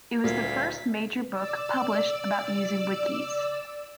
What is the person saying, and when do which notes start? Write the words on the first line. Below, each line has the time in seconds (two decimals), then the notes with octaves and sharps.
It was the first major book published about using wikis.
0.24 D2 A#2 G3 F5 G#6 B6
1.31 D5 E6